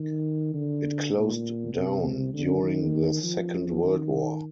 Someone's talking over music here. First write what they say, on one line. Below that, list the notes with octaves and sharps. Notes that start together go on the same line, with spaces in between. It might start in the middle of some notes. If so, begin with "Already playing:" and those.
It closed down during the Second World War.
Already playing: D#3
D3
A#2
C3
D3
D#3
F3
D#3